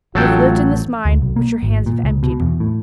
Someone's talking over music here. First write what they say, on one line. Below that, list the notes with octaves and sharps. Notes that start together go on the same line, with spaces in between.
You have lived in this mine, which your hands have emptied.
A1 A2 F#3 A3 F4 A4 G5
D2
B1
A#3
G#1
A#2
C#2
B2
E2
A2